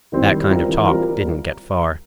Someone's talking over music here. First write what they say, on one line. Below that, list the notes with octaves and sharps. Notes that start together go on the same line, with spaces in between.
That kind of talk didn't get far.
D#3 G3 C4 E4
G3
C4 F4 A#4
E3
G3 C4 F4 A#4